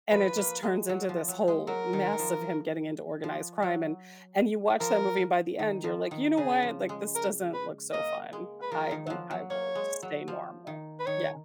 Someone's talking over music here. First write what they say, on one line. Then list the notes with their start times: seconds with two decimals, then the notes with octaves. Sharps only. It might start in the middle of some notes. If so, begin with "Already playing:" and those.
and it just turns into this whole mess of him getting into organized crime and and you watch that movie and by the end you're like, "You know what, like, this doesn't look so fun. I think I will stay normal." Yeah.
0.11 F3 B4
0.37 A#3
0.63 G#3
0.89 F#3
1.09 F3
1.28 F#3
1.48 G#3
1.67 F#3 A#4
1.93 D#3
2.13 D#3
2.19 F3
3.24 F3
3.63 F#3
4.80 F3 A#4
5.59 D#3
5.84 F3
6.11 D#3
6.37 C#3 G#4
6.63 F3
6.89 G#3
7.15 A#4
7.54 B4
7.93 A#3 D#5
8.33 G#3
8.62 B4
8.71 F3 A#4
8.91 D#3
9.07 F3 F#3
9.31 F#3
9.50 A#3 C#5
9.75 G#3
10.03 F#3
10.28 F3
10.67 D#3
11.00 B4
11.06 D#3 C#5